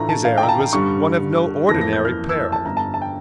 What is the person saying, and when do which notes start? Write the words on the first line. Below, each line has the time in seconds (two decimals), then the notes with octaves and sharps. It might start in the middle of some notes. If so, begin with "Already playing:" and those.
His errand was one of no ordinary peril.
Already playing: A2 E3 A3 D4 F4 A#5
0.09 A5
0.25 F5
0.38 G5
0.43 A#5
0.49 A5
0.60 A#5
0.73 G2 D3 G3 C#6
1.68 F2 E3 A#3 E4 A#6
1.81 A#6
1.93 G6
2.05 F6
2.29 E6
2.41 E6
2.52 A5
2.65 G1 G2 D3 A#5
2.77 A5
2.94 A5
3.02 G5